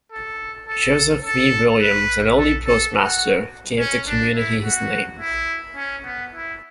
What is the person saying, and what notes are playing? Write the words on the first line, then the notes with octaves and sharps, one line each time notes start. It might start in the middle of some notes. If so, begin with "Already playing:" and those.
Joseph V. Williams, an early postmaster, gave the community his name.
A4
A4
A4
B4
A4
A4
F#4
C#4
D4
E4
F#4
E4
C#4
B3
E4